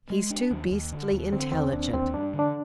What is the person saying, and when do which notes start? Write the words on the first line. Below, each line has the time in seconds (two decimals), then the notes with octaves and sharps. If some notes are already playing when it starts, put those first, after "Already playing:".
He's too beastly intelligent.
0.10 G#3
0.30 D4
0.51 D#2
0.71 D#2
0.92 D3
1.12 D#2
1.32 D3 C4
1.52 D#2 C4
1.73 D#2 D4
1.93 D#2 C4
2.14 G2 D4
2.34 D3
2.39 D4